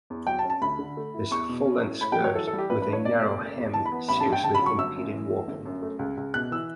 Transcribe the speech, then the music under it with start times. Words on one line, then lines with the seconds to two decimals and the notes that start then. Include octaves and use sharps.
This full-length skirt with a narrow hem seriously impeded walking.
0.10 E2
0.27 F#3 G5
0.39 A5
0.45 C#4
0.50 A5
0.62 D2 B5
0.79 D3
0.97 A3
1.14 E4
1.31 E2 C#6
1.49 B2
1.65 C#4
1.83 A2
2.01 A2 B5
2.12 G5
2.19 F#3
2.24 C#5
2.35 E3 A4
2.47 A4
2.53 G3
2.58 G4
2.70 A1 B4
2.82 B4
2.88 G2 C#5
3.05 B2 D5
3.22 A3
3.40 F#1
3.57 E2
3.74 E3 A5
3.86 B5
3.92 B3
4.09 A1 B5
4.20 A5
4.26 G2
4.33 G5
4.43 C#3 A5
4.55 B5
4.61 F#3 C#6
4.78 G1 E6
4.96 F#2
5.13 E3
5.30 A3
5.47 G1
5.66 F#2
5.82 A3
5.99 C#2
6.17 C#2
6.34 B2 F#6
6.51 E3 E6